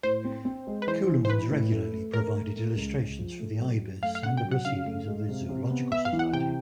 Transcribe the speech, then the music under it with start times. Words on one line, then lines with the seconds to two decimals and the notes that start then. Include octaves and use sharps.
Keulemans regularly provided illustrations for "The Ibis" and "The Proceedings of the Zoological Society".
0.03 A2 C5
0.25 C4
0.45 C4
0.67 G#3
0.82 B4
0.87 E3 C5
1.08 E3
1.25 C5
1.29 E3 B4
1.51 A2
1.71 A3
1.92 A3
2.13 A3 A#4
2.34 A3
2.56 A3
2.76 C#2
2.97 C#2
3.19 F3
3.39 A3
3.60 F#3
3.81 F#2
4.03 A3 F5
4.15 F5
4.23 C#3 F#5
4.37 G5
4.44 F#3
4.51 F#5
4.65 C#3 F5
4.86 A3
5.07 G#3
5.29 C3
5.49 C3
5.70 B3
5.91 B3 E5
6.05 F5
6.13 E3
6.19 F#5
6.33 C3 G5